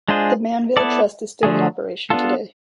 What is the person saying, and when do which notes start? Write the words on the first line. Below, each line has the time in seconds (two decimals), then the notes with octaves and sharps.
The Manville Trust is still in operation today.
0.08 G#3 D4 F4 G#4 C5
0.77 B3 E4 A4 D5
1.43 D3 F3 A3 D4 G#4
2.10 B3 D4 F4 A4